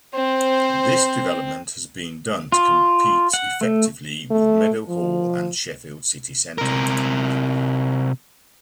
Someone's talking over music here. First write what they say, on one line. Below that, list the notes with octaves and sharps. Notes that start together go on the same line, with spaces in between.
This development has been done to compete effectively with Meadowhall and Sheffield city centre.
C4 C5
F4
F#5
A3
A3
F3
C3 A#4